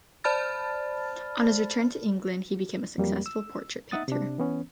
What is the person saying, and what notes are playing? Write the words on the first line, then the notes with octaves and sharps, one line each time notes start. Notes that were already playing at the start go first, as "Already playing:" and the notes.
On his return to England, he became a successful portrait painter.
C5 D5 A5 B5 F6 A6
F2 F#3 G3 A#3
E6
D#4 E5 F#5 D#6 A6
C3 D4
E3 B3 C#4